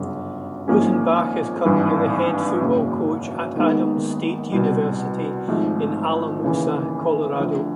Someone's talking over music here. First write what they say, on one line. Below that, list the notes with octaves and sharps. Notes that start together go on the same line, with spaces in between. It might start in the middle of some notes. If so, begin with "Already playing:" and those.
Rosenbach is currently the head football coach at Adams State University in Alamosa, Colorado.
Already playing: G1 F#2 C#3
G#1 G#2 F3 A#3 C#4
G#1 G2 E3 G3
G#1 F#2 C#3 F#3 A#3
D#2 D#3 G#3 B3 D#4
C2 B2 G3
G#1 G#2 F3 A3
D#2 C#3 E3
D2 D3 F3 A3